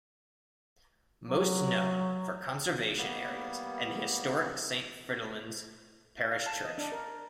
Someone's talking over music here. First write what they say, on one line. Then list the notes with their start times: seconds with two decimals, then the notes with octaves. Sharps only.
Most known for conservation areas and the historic Saint Fridolin's Parish Church.
1.27 F#3
2.97 G3 A#3 B3
6.32 F5
6.46 A5
6.65 D#5
6.78 D4
6.92 A#4